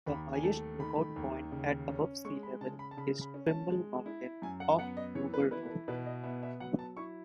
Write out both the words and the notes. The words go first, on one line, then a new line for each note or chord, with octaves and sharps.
The highest lookout point, at above sea level, is Trimble Mountain, off Brewer Road.
D#2 B5
G#5
A3 A5
D#3 B5
D#2
C#3
C#4
G#3 C#6
B5
C#3 A5
B5
A5
C#3 B5
B5
C#4
A5
G#3
E4
F#2 G#5
F#5
B3 F#5
D#5
E3 C#5
B4
E4 B4
B4
A4
B2 B4
D#5
B3 E5
E5
F#3 F#5
A5
E4 C#6